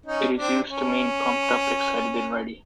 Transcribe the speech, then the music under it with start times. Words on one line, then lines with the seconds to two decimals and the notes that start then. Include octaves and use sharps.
It is used to mean pumped up, excited, and ready.
0.05 C#4 D#4
0.37 C4 D4
0.70 C#4